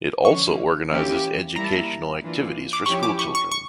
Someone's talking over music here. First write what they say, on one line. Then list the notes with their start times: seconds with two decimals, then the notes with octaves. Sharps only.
It also organises educational activities for school children.
0.25 D3 F3 C#4 C#6
0.91 E3 A#3 C#4 G4
1.56 G3 A#3 E4 A#5
1.64 A5
1.73 A#5
2.21 E3 A#3 D4 F4
2.73 D6
2.86 F3 C#4 E4 G4 C#6
3.03 D6
3.19 C#6
3.35 C#6
3.52 C#6